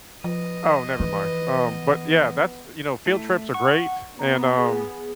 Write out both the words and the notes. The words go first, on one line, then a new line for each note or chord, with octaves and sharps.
Oh, never mind. Um, but, yeah, that's th you know, field trips are great, and um
F3 B4 D#5
E3 B4
B3
A3 E4
F#5 C#6
B3 A#5
G#4